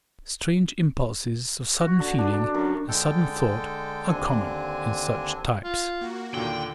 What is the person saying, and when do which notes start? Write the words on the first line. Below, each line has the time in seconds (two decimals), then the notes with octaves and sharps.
Strange impulses of sudden feeling and sudden thought are common in such types.
1.81 F#4
2.00 D3
2.19 D4
2.33 D4
2.54 F#2
2.89 D3 G#3 A4 G5
4.09 D#2 D3 C4 D4 G#5
5.64 F4
6.01 A#3 F#4
6.34 D#2 A#2 D3 G5